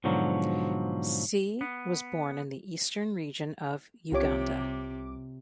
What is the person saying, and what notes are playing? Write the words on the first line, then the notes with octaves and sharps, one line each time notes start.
Se was born in the Eastern Region of Uganda.
G#2 B2 D3 F3 F#3
B3
C2 C3 F4 G4 C#5 D6